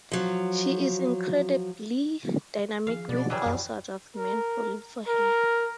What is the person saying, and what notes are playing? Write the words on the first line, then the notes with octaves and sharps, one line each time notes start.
She is incredibly dynamic, with all sorts of men falling for her.
F3 F#3
D#3 F3 G#4 F5
B2 D5
E3 F#3 G3 G#4 D5 F#5 B5
F#2
A#4
A#4